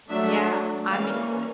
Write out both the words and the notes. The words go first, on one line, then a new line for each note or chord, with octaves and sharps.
Yeah, I mean uh
F#3 A3 D4 E5
E3 G3 A#3 C#4 F5